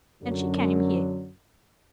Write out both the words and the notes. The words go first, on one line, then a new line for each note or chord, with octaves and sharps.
And she came here.
F#2 D3 F#3